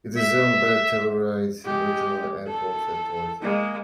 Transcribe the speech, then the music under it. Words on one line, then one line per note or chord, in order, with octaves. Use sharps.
It is owned by the Telluride Regional Airport Authority.
E5
G#3 G4
A4
G#3 A#3